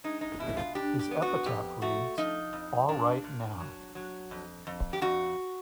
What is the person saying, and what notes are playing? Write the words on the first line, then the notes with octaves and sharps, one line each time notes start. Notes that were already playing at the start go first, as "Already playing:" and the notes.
His epitaph reads "All Right Now".
G#3 D#4
D#4
B2 E4
F4
D4 G4
G4
B3
F#4
F2 G4
A3 F#4
F3 D#4
F2
A#2 D4
A#2
F#3
F#3
F2
F2
G4
F2 F#4